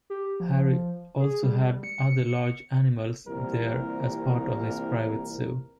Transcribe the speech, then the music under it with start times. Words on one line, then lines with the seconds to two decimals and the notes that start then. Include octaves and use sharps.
Harry also had other large animals there as part of his private zoo.
0.10 G4
0.40 F3
1.20 G#4
1.43 G3
1.84 C#7
3.27 C2 A#2 E3 G3 C4 A#4